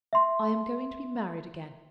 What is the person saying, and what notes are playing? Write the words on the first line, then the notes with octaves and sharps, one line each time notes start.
I am going to be married again.
E5 C6